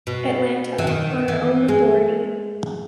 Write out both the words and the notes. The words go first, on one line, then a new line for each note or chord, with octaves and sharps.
Atlanta: On Our Own Authority!
B2
E3
D#3
E3
G#3